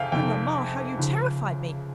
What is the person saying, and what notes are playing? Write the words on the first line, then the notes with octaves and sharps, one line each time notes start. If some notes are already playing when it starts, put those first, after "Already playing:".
'Oh, mamma, how you terrified me!
Already playing: F2 C3 F5 G5 G#5
F2 C3 D#3 G5
C#2 C#3 F3